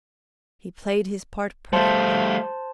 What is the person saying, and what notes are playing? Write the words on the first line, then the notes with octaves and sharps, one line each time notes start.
He played his part perfectly.
G3 A3 C5 E5 F5 A5 C6